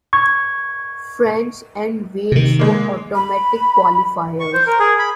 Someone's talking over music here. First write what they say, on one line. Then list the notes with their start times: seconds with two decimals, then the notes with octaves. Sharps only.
France and Wales were automatic qualifiers.
0.13 C#6 G#6
2.32 C3 D#3
2.59 G#3 A#3
3.15 B5
4.40 C#6
4.53 C5
4.66 A#4
4.80 G#4
4.99 B5